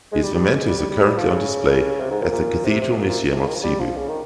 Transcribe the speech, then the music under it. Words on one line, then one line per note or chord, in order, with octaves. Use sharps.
His mementos are currently on display at the Cathedral Museum of Cebu.
G#3
G3
G3
G#3
G3
G3
G3
G3
F3
C#3
C3
G#2
A#2
A#2
C3
C3
A#2
A#2
C3
C#3
D#3
F3
G3
F3
C#3
D#3